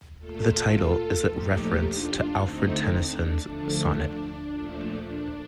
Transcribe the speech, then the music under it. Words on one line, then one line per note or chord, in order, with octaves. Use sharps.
The title is a reference to Alfred Tennyson's sonnet "".
A#2 A3 F4 A4
A#2 F3 A3 D#4 G4
D4 F4
D3 A3 C4 D#4
D4
D3 F3 A3 D4
A#2 F3 A3
D4